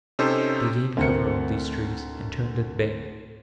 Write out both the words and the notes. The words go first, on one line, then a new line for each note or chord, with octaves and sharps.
They gained cover of these trees, and turned at bay.
C3 C#4 D#4 A4 C5
D2 C4 A#4 C#7